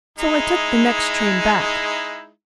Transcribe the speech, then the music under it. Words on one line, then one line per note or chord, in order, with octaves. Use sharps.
So I took the next train back.
G#3 D#4 E4